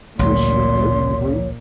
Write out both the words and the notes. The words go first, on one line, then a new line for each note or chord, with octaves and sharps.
Was she alone in the room?
A1 D2 A#2 F#3 C#5 C6